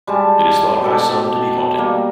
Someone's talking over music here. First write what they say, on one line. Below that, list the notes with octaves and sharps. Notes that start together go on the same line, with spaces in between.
It is thought by some to be haunted.
G3 G#3 A5
B2 G4 A4 B5
G3 A#3